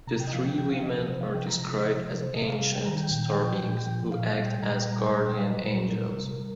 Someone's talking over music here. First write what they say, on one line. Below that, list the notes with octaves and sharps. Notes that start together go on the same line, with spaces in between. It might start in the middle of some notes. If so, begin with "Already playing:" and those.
The three women are described as ancient star-beings who act as guardian angels.
C3 A#5
G5
D#5
F3 F5
G5
C3 G5
F5
F3 D#5
A#4
C3 C5
F5
F3 G5
A#5
C3 A#5
F3 D#5
C5
C3 A#4
C5
C3 D#5
F5
G3 F5
G5
D#3 A#5
G5
A#2
F3
A#2
F3
A#2 F5
F5
G3
G5
A#2 A#5
G5
G3 A#5
G5
A#2 A#5
G5
G3 F5
D#5
A#2 C5
G3 A#4
C3
G3